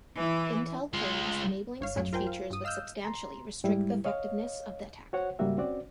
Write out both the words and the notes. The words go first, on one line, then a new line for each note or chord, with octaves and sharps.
Intel claims enabling such features would substantially restrict the effectiveness of the attack.
E3 E4
G#3 F4
G#1 C#5 F5
A1 F#2 A2 F#3
F4 A#4 C5 G5 G#5
F5
G2 D#6
D#5 F5 E6 F6 G6
A#5 C6
G#2 G3 G#3 E4
C#5 D#5 F5
F#4 C5 C#5 F#5
G#2 C#3 G3 A#3 F#4 E5
C4 C#4 F#4 D5